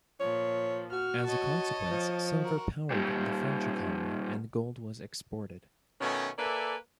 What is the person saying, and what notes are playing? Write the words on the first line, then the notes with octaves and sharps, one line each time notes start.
As a consequence, silver powered the French economy and gold was exported.
A#2 F3 C#5
F#4 F6
C#5 D#5 A5
F3
F#4 A#4
A#2 G3
B2 D#3 A3 C#4
A#3 A4 B4 D5 E5 G#5